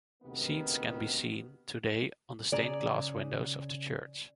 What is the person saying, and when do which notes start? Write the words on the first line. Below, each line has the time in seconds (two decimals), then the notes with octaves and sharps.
Scenes can be seen today on the stained glass windows of the church.
0.23 D2 C3 D#3 B3
2.52 C#3 G#4 D5 A#5